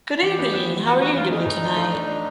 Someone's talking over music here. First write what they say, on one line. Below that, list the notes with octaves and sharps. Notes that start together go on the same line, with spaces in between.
Good evening, how are you doing tonight?
E3 G4
B3
B3
E3
E3 F#4
E3 F#4
E3 F4
E3 D#4
A2
D4
A3
D4
D4